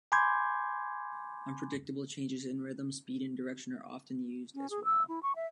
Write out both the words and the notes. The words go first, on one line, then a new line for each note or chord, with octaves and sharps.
Unpredictable changes in rhythm, speed, and direction are often used, as well.
G#5 B5 C6 D6 G6 G#6
C#4
G#4
E6
E4
C#6
E5